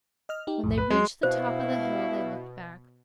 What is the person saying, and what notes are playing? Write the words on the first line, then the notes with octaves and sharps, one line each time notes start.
When they reached the top of the hill they looked back.
D#5 F6
D#4 G4
B1 F2 A2
B4
F#3 G#3
G2 B2 E4 C5 F5